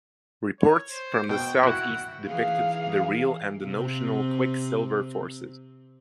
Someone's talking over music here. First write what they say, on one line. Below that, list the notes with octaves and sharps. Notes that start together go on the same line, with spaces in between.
Reports from the southeast depicted the real and the notional Quicksilver forces.
C#5
C5
B2 G5
E4 F#4 F#5
E3 D#4 G#4 F5
C3 C4